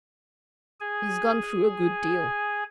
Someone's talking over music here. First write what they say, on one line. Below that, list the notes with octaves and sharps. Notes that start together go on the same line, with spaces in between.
He's gone through a good deal.
G#4 G#5